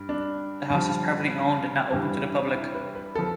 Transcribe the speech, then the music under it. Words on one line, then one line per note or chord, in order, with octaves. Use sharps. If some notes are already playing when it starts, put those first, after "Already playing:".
The House is privately owned and not opened to the public.
Already playing: G2
D4
G2 F3
G2 E3 G3
E4
B4
B4
F3 A4